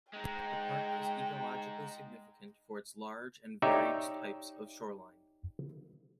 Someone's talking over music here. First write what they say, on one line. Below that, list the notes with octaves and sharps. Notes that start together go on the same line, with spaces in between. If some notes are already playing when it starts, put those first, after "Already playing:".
The park is ecologically significant for its large and varied types of shoreline.
G#3 D#4 G5
D#4 G4 C#5 D5 E5